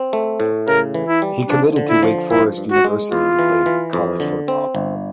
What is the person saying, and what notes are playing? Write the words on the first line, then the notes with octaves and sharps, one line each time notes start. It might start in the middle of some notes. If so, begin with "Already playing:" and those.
He committed to Wake Forest University to play college football.
Already playing: C4
A3
A2
C#3 A#4
E3
E4
G3
F3 D4
D3
E4
F3
G2 E4
G2
F#4
G#3
E2 F4
E3
E3
F2
D3
C4
G1